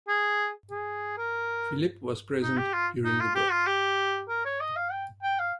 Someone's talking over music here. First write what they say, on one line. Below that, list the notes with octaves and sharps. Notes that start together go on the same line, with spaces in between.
Phillippe was present during the birth.
G#4
G#4
A#4
D#4
G4
F4
D#4
F4
G4
F4
G4
A#4
C#5
D#5
F5
G5
G5
F5